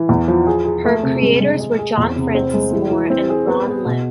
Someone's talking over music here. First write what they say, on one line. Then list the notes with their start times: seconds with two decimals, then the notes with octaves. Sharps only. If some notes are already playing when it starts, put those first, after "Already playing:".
Her creators were John Francis Moore and Ron Lim.
Already playing: E3
0.09 E2
0.28 F3
0.47 G#4
0.66 G#4
0.84 A3
1.03 C3
1.22 G#3
1.40 G#3
1.60 G#4
1.79 G#4
1.98 E2
2.16 C3
2.35 C4
2.54 G#3
2.73 E3
2.91 E3
3.10 C4
3.29 G#4
3.48 B3
3.67 B3
3.86 B2